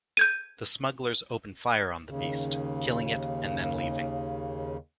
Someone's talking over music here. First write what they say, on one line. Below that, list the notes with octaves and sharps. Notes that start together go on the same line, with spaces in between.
The smugglers open fire on the beast, killing it and then leaving.
G6 G#6 D#7
D#2 C#3